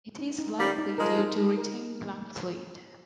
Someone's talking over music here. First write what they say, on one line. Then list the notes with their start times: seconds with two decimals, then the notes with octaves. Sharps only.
It is likely due to retained lung fluid.
0.19 D#4
0.39 D#4
0.59 D#3 G3 F5
0.78 D#4
0.98 F3 G#3 A#4
1.18 D#4
1.38 D#4
1.57 A#4